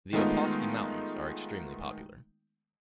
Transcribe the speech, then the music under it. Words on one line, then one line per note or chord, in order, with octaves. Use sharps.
The Opawskie Mountains are extremely popular.
D#3 G#3 A3 B3 D#4 F4